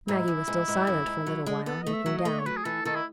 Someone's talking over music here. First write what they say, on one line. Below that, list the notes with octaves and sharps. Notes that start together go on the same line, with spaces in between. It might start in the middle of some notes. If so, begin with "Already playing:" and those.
Maggie was still silent for a little while, looking down.
G#2 E4
F#2
G#2
G#2
F#2
G#2
F#3
G#3
B3 A4
A3 D#5
E5
F#3
D#5
A3
C#5
F#3 B4
G#4
E3 A4
D#3 A4
E4